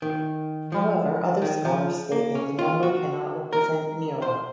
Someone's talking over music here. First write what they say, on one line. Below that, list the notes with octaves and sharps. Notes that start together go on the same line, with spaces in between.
However, other scholars state that the number cannot represent Nero.
D#3
F3
D#3
F3
A#3
C#4
F4
F#4
A#4
C5